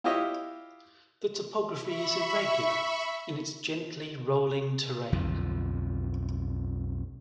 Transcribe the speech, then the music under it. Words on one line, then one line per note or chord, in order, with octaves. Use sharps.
The topography is irregular in its gently rolling terrain.
E4 F4 G4 C#5 D#5 E5
E5 B5 C#6
B1 F2 D3 F3